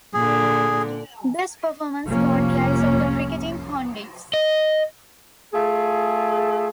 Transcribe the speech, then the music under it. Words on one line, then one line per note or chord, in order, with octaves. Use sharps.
This performance caught the eyes of the cricketing pundits.
A#2 D3 G#4
F1 C2 F3 A#3 C#4
D#5
A3 F4 G#4